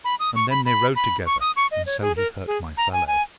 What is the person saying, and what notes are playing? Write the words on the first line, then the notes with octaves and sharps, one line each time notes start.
And then they rode together, and so he hurt my fellow.
B5
D#6
C#6
B5
B5
B5
C#6
D#6
C#6
D#5
C#5
G#4
A#4
G#4
A#5
G#5
G#5